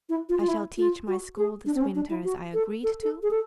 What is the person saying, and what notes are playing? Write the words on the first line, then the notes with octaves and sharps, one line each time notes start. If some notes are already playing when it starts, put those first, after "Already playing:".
I shall teach my school this winter as I agreed to.
E4
F4
F4
E4
F4
F#4
G#4
D4
C4
C#4
D4
E4
F#4
A4
A4
A4
G#4
A4